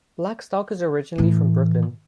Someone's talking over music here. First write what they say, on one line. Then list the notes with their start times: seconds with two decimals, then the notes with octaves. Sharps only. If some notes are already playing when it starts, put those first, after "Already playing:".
Blackstock is originally from Brooklyn.
1.18 A2 E3